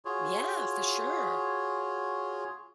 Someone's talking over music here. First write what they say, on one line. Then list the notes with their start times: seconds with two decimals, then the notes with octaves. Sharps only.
Yeah, for sure.
0.05 F4 F#4 G#4 C#5